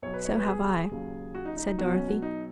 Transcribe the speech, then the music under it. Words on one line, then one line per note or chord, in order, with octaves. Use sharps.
"So have I," said Dorothy.
B1 B2 F#3 C#5
B4
C#5
B4
G#4
D#2 C#3 F#3
F#4
D#4
D#4
D#4
B1 B2 F#3 F#4
C#4
F#4
D#4